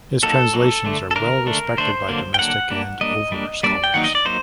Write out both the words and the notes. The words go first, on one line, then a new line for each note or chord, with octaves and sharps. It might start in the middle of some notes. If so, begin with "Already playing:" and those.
His translations are well respected by domestic and over scholars.
F#3 A#3 D#4 A4
F#3 A#3 D#4
D3 A3 D4
A4
D3 A3 D4 A#4
D3 A3 D4
D3 A3 D4 C5
D3 F#3 A#3 D4
G5
D3 F#3 A#3 D4 F#5
G3 A#3 D4
G3 A#3 D4 D#5
G3 A#3 D4
G3 A#3 D4 D5
G5
D#3 F#3 A#3 D#4 F#5
D#5
D5
F#3 A#3 D#4 C5